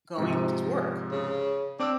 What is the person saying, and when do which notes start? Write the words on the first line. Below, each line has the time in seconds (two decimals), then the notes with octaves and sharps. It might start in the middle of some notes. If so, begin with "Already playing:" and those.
going to s work.
0.18 G#2 C3 F3
1.11 C#3
1.80 C4 D4 D6 E6